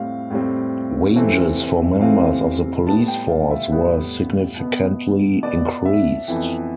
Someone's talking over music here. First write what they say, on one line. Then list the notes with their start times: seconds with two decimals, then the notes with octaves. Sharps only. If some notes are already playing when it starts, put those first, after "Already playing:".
Wages for members of the police force were significantly increased.
Already playing: A2 G3 C4 F5
0.30 A2 G3 C4
1.16 C3 E3 A3 C4
2.01 C3 E3 A3 C4 F5
2.87 A2 G3 B3 A5
3.08 G5
3.29 F5
3.50 E5
3.72 A2 G3 B3
4.57 B2 B3
5.43 B2 B3 D5
5.85 E5
6.28 F2 E3 B3